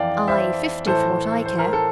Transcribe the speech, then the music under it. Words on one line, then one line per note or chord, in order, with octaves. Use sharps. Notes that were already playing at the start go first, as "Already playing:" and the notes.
Aye, fifty, for what I care.
Already playing: F2 E3 D5 F5 G5
C5 E5
A2 E3 A4 C5
C5
A#4
A4